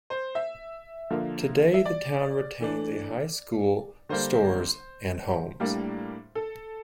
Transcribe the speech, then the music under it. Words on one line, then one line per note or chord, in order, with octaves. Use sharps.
Today the town retains a high school, stores, and homes.
C5
E5
D3 F3 A#3
E5
D5
E3 A3 D4
D3 G3 A#3 D4 C5
A2 G3 A#3 D4
A4